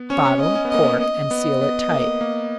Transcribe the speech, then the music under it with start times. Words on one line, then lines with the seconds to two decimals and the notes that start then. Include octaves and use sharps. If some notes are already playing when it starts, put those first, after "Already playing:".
Bottle, cork, and seal it tight.
Already playing: B3
0.10 C#4 C#5
0.25 C#4
0.41 D#5
0.55 C#4
0.65 B3
0.70 A#3 D#5
0.83 B3
1.01 D#5
1.31 B3
1.61 B3
1.91 A#3
2.21 A#3